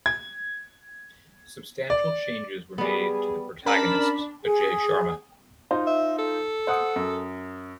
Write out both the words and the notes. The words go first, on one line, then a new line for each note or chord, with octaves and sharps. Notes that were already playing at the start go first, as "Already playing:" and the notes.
Substantial changes were made to the protagonist, Ajay Sharma.
G#6
D5
G3 B3 G#4
C#4 D4 A#4 A5 B5
G#4
D#4 F4 C5
E5
A4
C5 F#5 D#6
F#2